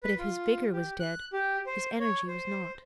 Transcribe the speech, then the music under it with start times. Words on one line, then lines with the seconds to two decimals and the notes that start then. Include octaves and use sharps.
But if his vigor was dead, his energy was not.
0.03 B4
0.18 F4
0.73 G4
1.00 F#6
1.33 G4
1.66 C5
2.00 C#5
2.28 C5